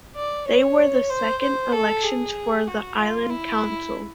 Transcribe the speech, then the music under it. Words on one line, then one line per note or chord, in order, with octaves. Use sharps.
They were the second elections for the Island Council.
D5
C#5
C5
C5
A4
G#4
F#4
F4
E4